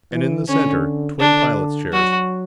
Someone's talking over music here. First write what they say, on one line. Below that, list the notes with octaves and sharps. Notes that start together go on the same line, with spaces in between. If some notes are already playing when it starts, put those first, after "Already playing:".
And in the center, twin pilot's chairs.
E3
D3 C#4
D3 D4
F#3 F#4